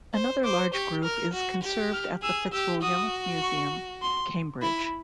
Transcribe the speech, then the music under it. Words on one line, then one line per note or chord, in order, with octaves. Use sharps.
Another large group is conserved at the Fitzwilliam Museum, Cambridge.
C5
C5 D6
G4 C#6
A#4 F6
F#4
G4
F6
G#4 E6
G4 E6
F#4 D#6
C#6
C6
E4 B5